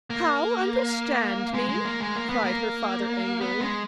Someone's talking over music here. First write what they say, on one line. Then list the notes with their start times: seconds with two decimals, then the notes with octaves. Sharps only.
"How understand me!" cried her father angrily.
0.10 A#3
1.54 G#3
1.69 G#3
1.85 A#3
2.00 G#3
2.16 A#3
2.29 B3
2.44 A#3
3.41 B3
3.60 G#3